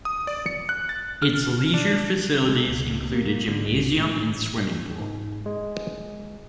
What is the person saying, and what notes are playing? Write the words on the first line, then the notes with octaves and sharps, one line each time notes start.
Its leisure facilities include a gymnasium and swimming pool.
D#6
D5
C#7
F#6
A6
F6
D4
G#3
C#2
A#3
D3
C2
A2
A#2
G#2
G#3